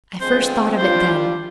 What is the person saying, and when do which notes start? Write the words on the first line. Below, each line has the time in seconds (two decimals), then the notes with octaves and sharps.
I first thought of it then.
0.21 D3 F3 G#3 C4 C5
0.78 G3 D4 F4 C5